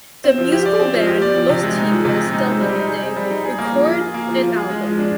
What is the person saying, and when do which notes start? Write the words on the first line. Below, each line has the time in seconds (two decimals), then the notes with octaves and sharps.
The musical band Los Tigres del Norte record an album.
0.24 C4
0.38 F3
0.52 G4
0.66 D5
0.80 C4
0.93 F3
1.07 G4
1.22 D5
1.35 F3
1.49 C3
1.63 G#3
1.77 D#4
1.91 F3
2.05 C3
2.19 G#3
2.33 D#4
2.47 C4
2.61 G3
2.75 D#4
2.88 G#4
3.03 C4
3.16 G3
3.31 D#4
3.45 G#4
3.58 A#3
3.73 F3
3.87 F4
4.01 G#4
4.14 A#3
4.28 F3
4.42 F4
4.56 G#4
4.70 G#3
4.84 F3
4.98 D4